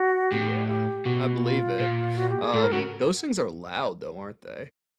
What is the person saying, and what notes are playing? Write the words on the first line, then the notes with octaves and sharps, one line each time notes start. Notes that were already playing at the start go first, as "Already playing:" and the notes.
Yeah. I believe it. Um, those things are loud, though, aren't they?
Already playing: F#4
A2 G4
G4
B2 F#4
F4
A#2
F#4
G4
G#4
A2 A4
G#2 A#4
C#3 F#4